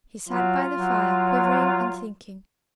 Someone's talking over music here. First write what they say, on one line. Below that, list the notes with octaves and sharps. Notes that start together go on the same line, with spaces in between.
He sat by the fire quivering and thinking.
F#3 F4
F#3